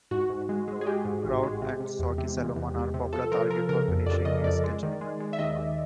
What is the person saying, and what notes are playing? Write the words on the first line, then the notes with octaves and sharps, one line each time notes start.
Trout and sockeye salmon are popular targets for fishing in Stehekin.
G#2 F#4
G#2
G#3
G#3
G#4
G#3 G4
G#2
A1
G#3
C3
C3
E2
C3
E2
E2
E2
C3
F3 A4
F3 A#4
F3 A#4
C#3 A#4
F2
F2 D5
C#3 D#5
F2 D5
G#3
D#3
G#3
G#3
E5
D#2 D#5
D#2